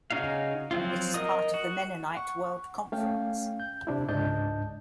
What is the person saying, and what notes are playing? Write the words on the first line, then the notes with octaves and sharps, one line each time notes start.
It is part of the Mennonite World Conference.
C#3 C#4 D#4 F#4 F5
F3 F#3 C4 F4
A#4 D#5 D#6
F#4
F#5 C#6
A3 C#4 F5 G5
G6
C3 D4 E4
C#2 G#2 D4 D#5 A5 G6